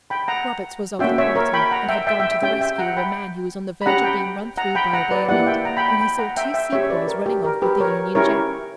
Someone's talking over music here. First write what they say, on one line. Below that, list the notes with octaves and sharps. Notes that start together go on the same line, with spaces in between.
Roberts was of the party and had gone to the rescue of a man who was on the verge of being run through by a bayonet, when he saw two sepoys running off with the Union Jack.
G5 B5
F#5 A#5
A#3 C#4 F#4 E5 G5
C#5 E5
A#4 C#5
G5 B5
F#5 A#5
E5 G5
E5 G5
E5 G5
E5 G5
C#4 G4 E5 G5
E5 G5
F#5 A#5
G5 B5
B5
C#4 G4 F#5 A#5
G5 B5
F#5 A#5
G5 B5
F#5 A#5
B4 D5
A#3 E4 G4 D5 F#5
E5 G5
F#5 A#5
G5 B5
G5 B5
G5 B5
F#5 A#5
E5 G5
E5 G5
C#4 G4 C#5 E5
B4 D5
A#4
G4
A#4
G4 B4
A#4 C#5
C#4 E4 G4 A#4 C#5